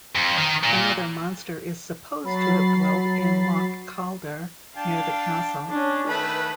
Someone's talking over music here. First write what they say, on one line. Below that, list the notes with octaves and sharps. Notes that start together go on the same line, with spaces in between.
Another monster is supposed to have dwelt in Loch Calder near the castle.
F2
D#3
A#2
F#3 B5 A6 C7
D4 F5 G5 A5
C#4 D4
D#3 A3 B4 B5